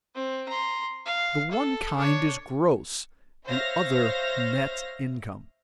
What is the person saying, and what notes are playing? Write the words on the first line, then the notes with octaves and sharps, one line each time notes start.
The one kind is gross, the other net income.
C4
A#5 C6
F5
A4
D4 C#5
C5 C#5 E5 F5 F6 A#6